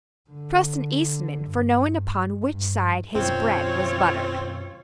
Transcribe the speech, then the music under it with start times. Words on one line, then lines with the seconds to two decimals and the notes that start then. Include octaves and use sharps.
Trust an Eastman for knowing upon which side his bread was buttered.
0.30 D3
1.45 G2
2.50 G2
3.15 F#2 B2 D#3 C4 F4 C#5